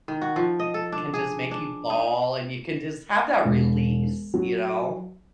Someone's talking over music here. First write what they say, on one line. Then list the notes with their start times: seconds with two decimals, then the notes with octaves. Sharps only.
can just make you bawl, and you can just have that release, you know?
0.08 D#3
0.21 F#4
0.36 F3
0.59 D#5
0.74 A4
0.92 D4
1.14 G#4
1.51 D4
1.90 D#4
3.45 E1
4.34 F#3